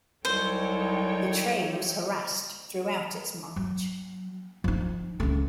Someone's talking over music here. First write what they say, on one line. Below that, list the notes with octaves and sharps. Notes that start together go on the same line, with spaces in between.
The train was harassed throughout its march.
C2 F#3 D#4 A4 C5 C#5 G5
F#3
F3 D#4
C#2 A3